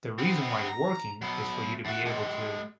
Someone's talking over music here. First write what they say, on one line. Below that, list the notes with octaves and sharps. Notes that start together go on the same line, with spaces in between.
the reason why you're working is for you to be able to
B3 C4
A#5
F#3 B3
E2 F#4
G#3 G4